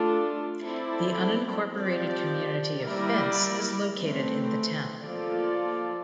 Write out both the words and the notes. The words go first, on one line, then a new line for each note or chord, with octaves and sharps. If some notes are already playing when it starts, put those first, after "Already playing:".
The unincorporated community of Fence is located in the town.
Already playing: A3 D4 F4 A4
C4 E4 A4 D5
F3 C4 G4 D5
G3 A#3 E4 A#4 D5
E3 A3 C4
F3 A#3 F4 A4 D5